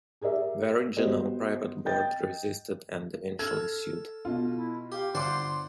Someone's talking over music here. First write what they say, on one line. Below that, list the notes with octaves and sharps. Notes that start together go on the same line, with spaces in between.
The original, private Board resisted and eventually sued.
G4 G#4 A#4 D5 E5
B3 F#4 G4 C5 D#5
D#5 G5 G6 A6
A4 F6 G#6
B2 F4
E4
G4 F5
G1 C5 D5 F#5 C6 D6